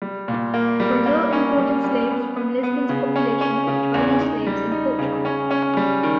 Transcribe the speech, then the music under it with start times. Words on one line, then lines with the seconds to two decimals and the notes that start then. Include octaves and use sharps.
Brazil imported slaves from Lisbon's population of Chinese slaves in Portugal.
0.02 G3
0.28 A#2
0.54 A#3
0.80 G3
1.06 A#3
1.33 C#4
1.58 G3
1.84 G3
2.11 B3
2.36 B3
2.63 B3
2.89 C#3
3.16 C#4
3.41 C#4
3.67 C#3
3.94 E2
4.20 D#4
4.47 G3
4.72 D#4
4.99 C#3
5.25 C#4
5.51 C#4
5.77 G3
6.03 D#3